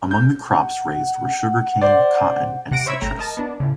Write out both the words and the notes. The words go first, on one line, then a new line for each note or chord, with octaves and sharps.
Among the crops raised were sugar cane, cotton and citrus.
G6
F#5
C5 D5
C3 F#5 A#6 D7
C5 C#5 E5 B5 E6 G#6
G#1 A3 G5 A#5
A#4 D#5 A5
B3 D4
A2 C#3